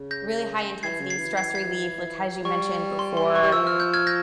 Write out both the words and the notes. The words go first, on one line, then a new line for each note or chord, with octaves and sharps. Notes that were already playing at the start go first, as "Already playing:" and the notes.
really high intensity stress relief, like, as you mentioned before
Already playing: C#3
G6 A#6
E3 G#6 C7
C#3
G#6 C7
E3
G#6 C7
G#6 C7
G3 C#6
C6
C6
C#6
G3
F3 E6
F6
G6
F6 G#6
G6 A#6